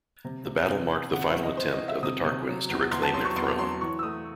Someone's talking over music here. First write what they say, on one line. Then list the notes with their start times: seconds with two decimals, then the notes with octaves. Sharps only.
The battle marked the final attempt of the Tarquins to reclaim their throne.
0.25 C3
0.46 C3
0.68 C3
0.90 E3
1.13 C3 F#5
1.28 E5
1.35 C3
1.44 D#5
1.57 E3 C5
1.73 D#5
1.80 C4
1.88 E5
2.03 C3 D#6
2.25 C3
2.48 F#3
2.69 E2
2.91 E2 C6
3.03 A5
3.14 F#3 C6
3.25 C#6
3.36 E2 C6
3.58 F#3 C6
3.81 E3 C#6
3.99 E6
4.03 A3 D#6